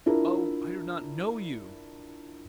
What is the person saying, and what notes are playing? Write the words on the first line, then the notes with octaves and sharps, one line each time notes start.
"Oh, I do not know you!"
D4 E4 F4 A#4